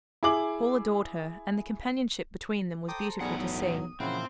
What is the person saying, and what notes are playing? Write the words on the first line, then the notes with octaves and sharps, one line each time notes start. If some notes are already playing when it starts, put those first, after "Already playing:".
Paul adored her, and the companionship between them was beautiful to see.
E4 G#4 D6 F#7
A4 C5 G5 A#5 D6 D#6
B1 E2 A2 G3 G#4 F#5
F#3 D#6
A#2 C#3 E3 F3 C4 E4 C5 F#5